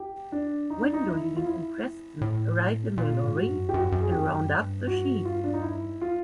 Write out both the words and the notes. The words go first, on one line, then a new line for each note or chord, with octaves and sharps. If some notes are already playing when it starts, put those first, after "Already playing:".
Wendolene and Preston arrive in the lorry and round up the sheep.
Already playing: G4
D4
D#4
D4
D#4
E4
F4
E4
A2
A#2 F4
G#2
F#4
F#2
G4
F#2 F#4
F#2
G#4
F2 G4
F#2
G2
F#4
F4
D4
D#4
E4
F4